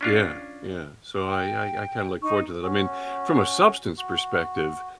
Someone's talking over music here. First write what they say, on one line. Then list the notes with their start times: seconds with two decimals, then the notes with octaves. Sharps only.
Yeah. Yeah. So I I I kinda look forward to that. I mean, from a substance perspective,
0.01 C#4 D4 F4
1.14 D6
1.27 G5
2.22 D#4 C#6
2.62 C#4 F#4
3.97 F#4